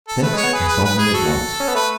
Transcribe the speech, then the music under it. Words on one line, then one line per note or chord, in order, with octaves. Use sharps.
Thence I saw him at once.
A4
A3 B4
G#3
C#5
B3
G#4 B4
B4
B4
G#4
F#4 A4
C#4
B3
A3 B4